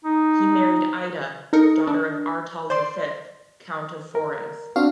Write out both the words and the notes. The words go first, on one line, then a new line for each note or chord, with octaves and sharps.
He married Ida, daughter of Artald V, Count of Forez.
D#4
D#4 A4 A#4 C#7
D4
C5 D5 C6
A#4
C4 D4 F#4 F5